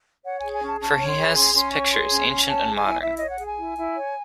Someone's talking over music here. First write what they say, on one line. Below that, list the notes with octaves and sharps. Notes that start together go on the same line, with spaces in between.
For he has his pictures, ancient and modern.
C#5 F#5
G#5
G#4
G#5
C#4
A5
C#4 A5
C#5
C6
G#4
C#4 C6
C#4 C6
C#5 C#6
G#4 C6
C#4
C#4
C#5 A5
G#4
G#5
E4
E4 E5
C#5 D#5
F#5
G#4 G#5
E4
E4
C#5